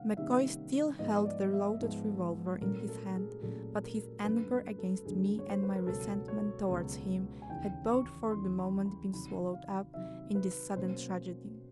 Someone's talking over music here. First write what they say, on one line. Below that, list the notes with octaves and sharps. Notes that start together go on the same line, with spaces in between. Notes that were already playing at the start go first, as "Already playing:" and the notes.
MacCoy still held the loaded revolver in his hand, but his anger against me and my resentment towards him had both for the moment been swallowed up in this sudden tragedy.
Already playing: C3 D#3 G3 A#3 C#4 F5 F#5
C3 D#3 G3 A#3 C#4 E5
G#2 F3 G#3 B3 D#5
D5
E5
G#2 F3 G#3 B3
A#2 F#3 A3 C#4 A#4
A4
G#4
A#2 F#3 A3 C#4 A4
A#4
G2 D3 F#3 A3 C#4 B4
A4
G2 D3 F#3 A3 C#4 G#4
C#5
C5
B4
A#4
C#2 B2 F#3 B3 A4
C#5
C#2 B2 F#3 B3
G#5
D#2 C#3 E3 G5
C#6
D#2 C#3 E3 C6
B5
B5
C3 D#3 F#3 B5
F5
C3 D#3 F#3 E5
B4
B2 F#3 A#3 C#4 C5